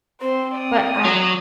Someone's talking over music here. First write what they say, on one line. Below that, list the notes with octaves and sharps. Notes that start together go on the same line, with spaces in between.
but, I
C4 C5
D5 D#6
F#3